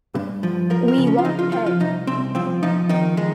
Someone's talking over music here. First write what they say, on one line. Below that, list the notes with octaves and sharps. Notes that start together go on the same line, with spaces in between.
We won't pay!
G2
F3
F3 A#4
A#4
C#3
C#4
F4
F3 D#4
F4
F3 F4
F4
C2 D#4
C2 C4
F3 C4
F3 D#4
D#3 D#4
D#3 G#3